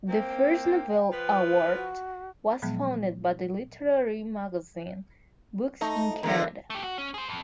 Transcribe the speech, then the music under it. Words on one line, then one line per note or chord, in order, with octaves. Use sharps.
The First Novel Award was founded by the literary magazine "Books in Canada".
A#3 C4 G5
F3 B4
F#4
A#2 F3 F#3 G#3 B3
A3 D#4
E2 D3 A#4
A3 G4
F#4
C#4
G#4 C5
F2